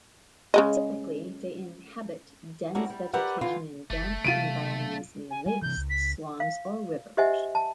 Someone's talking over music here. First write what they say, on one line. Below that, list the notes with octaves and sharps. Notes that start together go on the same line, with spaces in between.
Typically they inhabit dense vegetation in damp environments near lakes, swamps or rivers.
C#3 G#3 D#5
A#3 C#4 D4 E4 F#4 G4
G3
G4 A#4 B4 D5 E5 F#5
D3 E3 F4
F#1 A3
B1 C3 F4 D7 D#7
G#5
G3 G#5
C3 E3 G6
C#2
B6
F5
G4 C5 D#5 E5 F#5 G#5
A5